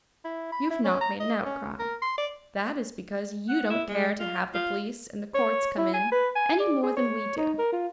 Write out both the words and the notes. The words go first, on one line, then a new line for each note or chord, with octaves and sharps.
You have not made an outcry; that is because you don't care to have the police and the courts come in any more than we do.
E4
B5
E4
C#4
A#5
D#5
C#4
A#4
C6
D5
F#5
E4
G#3
F4
F4
C#5
E4
G#5
B4
G#5
D5
G#4
C#5
D#4
A#4
F4